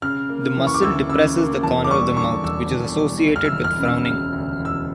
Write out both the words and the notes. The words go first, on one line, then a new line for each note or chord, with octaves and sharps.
The muscle depresses the corner of the mouth which is associated with frowning.
C#3 F6
A#3
E3
C#6
D6
D2 E6
C#3 E6
A#3
E2 A5
D6
G3 C#6
D3 C#6
E1 E6
E2
G3
D2
F6
E6
E1
F6
C#3
E6
E1 F6
D2
E1
E6